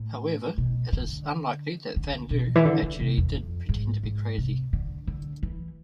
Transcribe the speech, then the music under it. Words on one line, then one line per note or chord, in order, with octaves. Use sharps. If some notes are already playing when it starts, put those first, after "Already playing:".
However, it is unlikely that Van Lew actually did pretend to be crazy.
Already playing: A2
B2
D3
D3
B2
E3
D3
D3
C3
E2
F2
G#2
G#2
C3
D3
D3
E3